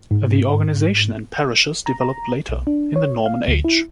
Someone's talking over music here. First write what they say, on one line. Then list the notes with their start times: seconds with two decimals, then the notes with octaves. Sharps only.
The organization in parishes developed later, in the Norman age.
0.11 G#2
1.86 A#5
2.01 A#5
2.49 B1
2.67 D4
2.96 C#5
3.26 F5
3.48 D2
3.65 E4